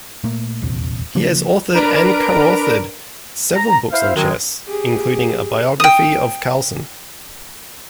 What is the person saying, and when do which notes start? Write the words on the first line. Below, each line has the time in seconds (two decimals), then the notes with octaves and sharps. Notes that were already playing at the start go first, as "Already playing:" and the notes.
He has authored and co-authored several books on chess, including a biography of Carlsen.
0.23 A#2 A3 A#3
0.62 D#1 A#1 E2 C3
1.15 C#3 F3 A#3 D4
1.74 D4 A#4 B4 A#5 D7
3.55 A#5
3.92 E4 C5 F5
4.15 F#2 D#3 F#3 G#3
4.66 G4 G#4
5.80 G5 D#6